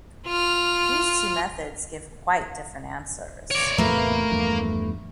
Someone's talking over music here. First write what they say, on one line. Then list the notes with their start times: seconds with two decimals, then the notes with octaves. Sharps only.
These two methods give quite different answers.
0.27 F4 F6
3.51 C#5 D5
3.78 E2 A2 C3 A3 A#3 B4
4.31 E2 G2 F3